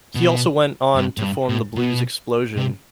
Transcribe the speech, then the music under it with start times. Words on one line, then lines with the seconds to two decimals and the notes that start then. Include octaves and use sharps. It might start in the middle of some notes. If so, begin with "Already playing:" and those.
He also went on to form the Blues Explosion.
0.15 B2
0.95 G2
1.18 A2
1.22 G2
1.49 A2
1.76 B2
2.57 C3